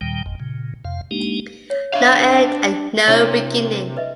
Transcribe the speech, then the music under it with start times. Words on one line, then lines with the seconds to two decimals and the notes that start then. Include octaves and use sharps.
No end and no beginning.
0.01 D#2 A#2 D#3 G3 G5
0.26 G#1 F2
0.40 A#2 C#3
0.85 F2 C3 F5
1.11 G#3 A#3 D4 D#4 G4
1.70 C#5
1.94 D4 G#4 E5 F5
3.08 C3 D4 E4 C#5
3.97 B4 D#5 E5